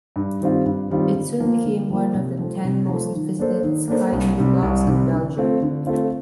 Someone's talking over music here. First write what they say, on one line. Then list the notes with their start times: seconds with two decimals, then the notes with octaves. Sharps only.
It soon became one of the ten most visited Skynetblogs in Belgium.
0.16 G2
0.41 D#3 G3 C4 F4
0.66 G2
0.90 D#3 G3 C4 F4
1.15 D3
1.40 F3 A#3
1.66 D3
1.90 F3 A#3
2.14 C3
2.39 F3 A3
2.64 C3
2.89 F3 A3
3.14 D#3
3.39 A#3 D4 A4 C5
3.63 D#3
3.88 A#3 D4 A4 C5
4.12 C2
4.38 C3 G3
4.62 C2
4.87 C3 G3
5.13 D3
5.37 A3 C4 F4
5.62 D3
5.87 A3 C4 F4